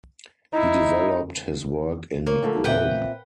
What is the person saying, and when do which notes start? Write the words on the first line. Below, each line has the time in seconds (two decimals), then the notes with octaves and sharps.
He developed his work in Rome.
0.53 D#4 E4
2.26 A#3 C#5
2.43 D3 F3 A3
2.64 A#2 C4 B4 E5 F#5 G5